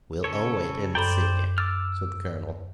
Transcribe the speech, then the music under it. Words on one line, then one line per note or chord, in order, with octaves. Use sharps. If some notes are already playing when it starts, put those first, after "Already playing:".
"We'll all wait and see," said the colonel.
C#3 A4 C#5
F#2 A4 C5 D5 G5 B5
D6 E6 F6 A6